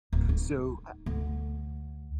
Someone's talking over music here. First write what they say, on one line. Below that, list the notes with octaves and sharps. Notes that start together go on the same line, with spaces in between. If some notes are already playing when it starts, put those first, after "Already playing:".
so I
D1
D#4
D2